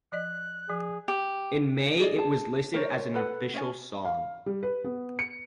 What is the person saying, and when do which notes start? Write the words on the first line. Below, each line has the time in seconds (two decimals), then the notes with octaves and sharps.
In May it was listed as an official song.
0.12 F3 D5 D#5 F#6
0.69 F3 G#4
1.08 G4
1.99 G#4 D5 D#5
2.16 G#4 A5
2.74 A#4 C5 C#5
3.14 A4 B4 F#5
3.53 C#4 C#5 D#5 G#5
4.05 F5
4.46 G3
4.63 B4
4.84 B3
5.19 C#7